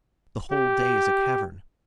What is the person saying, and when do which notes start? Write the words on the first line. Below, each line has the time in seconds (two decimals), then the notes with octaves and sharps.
The whole day is a cavern.
0.51 G4